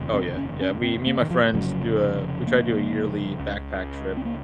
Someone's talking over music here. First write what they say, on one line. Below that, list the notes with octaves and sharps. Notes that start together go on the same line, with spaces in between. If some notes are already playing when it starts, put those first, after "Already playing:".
Oh, yeah. Yeah, we me and my friends do a we try to do a yearly backpack trip,
Already playing: F1 D#2 C#3
C4
C#4
C#4
C4
A#3
D#3
F3
F1 F2 C#3 F#3
A#3
C#2 C#3
C4
A#3